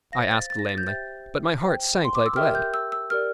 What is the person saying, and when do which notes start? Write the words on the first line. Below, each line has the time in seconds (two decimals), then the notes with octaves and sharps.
I asked lamely, but my heart sank like lead.
0.12 C5 F5 A#6
0.31 A6
0.50 A6
0.59 A#6
0.69 A6
0.78 G6
0.87 G4 C5 E5 G5 A6
1.62 C5 G5
2.05 C6
2.15 D6
2.26 E6
2.36 G4 A#4 E5 G5 F6
2.55 G6
2.74 E6
2.92 E6
3.10 G4 A#4 D5 F6